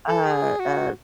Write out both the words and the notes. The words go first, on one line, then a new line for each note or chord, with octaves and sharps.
a a
A4
G#4
F#4